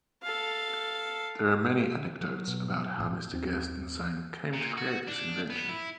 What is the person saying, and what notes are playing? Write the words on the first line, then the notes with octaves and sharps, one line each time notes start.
There are many anecdotes about how Mr. Gerstenzang came to create this invention.
A4 F5
F#3
B2
A#1 A2
D#2 C4
A#2
F#4
D4
B3
E4